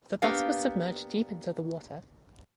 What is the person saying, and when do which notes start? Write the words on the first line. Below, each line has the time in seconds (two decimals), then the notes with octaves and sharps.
The bus was submerged deep into the water.
0.22 A#3 B3 D4 G4 F5